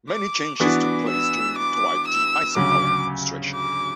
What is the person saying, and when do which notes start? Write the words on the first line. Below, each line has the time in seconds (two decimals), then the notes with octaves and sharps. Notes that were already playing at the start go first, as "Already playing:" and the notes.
Many changes took place during the Dwight D. Eisenhower administration.
0.10 D6
0.60 E3 B3 D4 F#4 D6
1.08 E6
1.58 D6
2.07 E6
2.56 D2 C#3 F#3 C#4 D6
3.55 D6